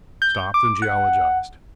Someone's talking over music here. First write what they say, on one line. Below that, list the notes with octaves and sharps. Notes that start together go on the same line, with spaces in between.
Stopped and geologised.
G6
D6
F#5